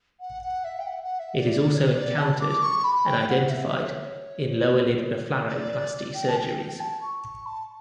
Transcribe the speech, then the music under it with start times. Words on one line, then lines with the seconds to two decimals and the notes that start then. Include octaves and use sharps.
It is also encountered and identified in lower lid blepharoplasty surgeries.
0.20 F#5
0.42 F#5
0.64 E5
0.79 G5
0.86 F#5
1.03 F#5
1.19 E5
1.36 D5
1.52 D5
1.75 C#5
1.96 D5
2.18 A5
2.40 D6
2.62 C#6
2.84 B5
3.06 G5
3.29 F#5
3.50 E5
3.67 E5
3.84 C#5
4.00 C#5
5.48 D5
6.14 G5
6.28 A5
6.36 G5
6.58 G5
6.80 A5
7.02 C#6
7.24 C#6
7.46 A5